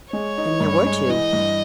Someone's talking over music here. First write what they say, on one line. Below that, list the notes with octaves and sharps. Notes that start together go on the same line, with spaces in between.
"Then there were two?"
G#3 C#5
D#4
G2
G#3
E3 D#5
G2